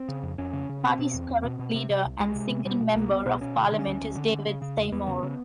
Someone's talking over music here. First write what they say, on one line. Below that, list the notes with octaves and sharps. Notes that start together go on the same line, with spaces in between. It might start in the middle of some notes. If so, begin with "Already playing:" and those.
The party's current leader and single member of parliament is David Seymour.
Already playing: C4
C#3
F2
F2 C#4
C#3
C#3
B2 C4
B2
E2
E2
B2
B2
C3
C3
C2
C2 G#3
C3
C3
B2 G3
B2
C2 A#3
C2 B3
B2 B3
B2 C#4
D3
D3
C#4
D2
D2
D3
D3
C#3
C#3
E2
E2 B3
C#3
C#3